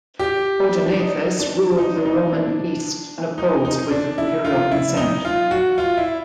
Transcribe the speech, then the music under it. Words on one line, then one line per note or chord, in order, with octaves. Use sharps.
Odaenathus ruled the Roman East unopposed with imperial consent.
G4
D4
D#4
D4
D#4
D4
D#4
D4
D#4
D#4
D4
E4
F4
E4
D#4
F4
F#4
F4
E4